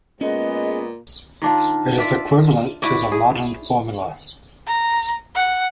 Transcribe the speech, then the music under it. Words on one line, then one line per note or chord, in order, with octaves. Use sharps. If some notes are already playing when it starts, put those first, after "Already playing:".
It is equivalent to the modern formula.
A#2 G#3 B3 C#4 D#5
D#3 D4 F4
F4 D5 E5
E4 F#4 D5
G#4
A#5
F#5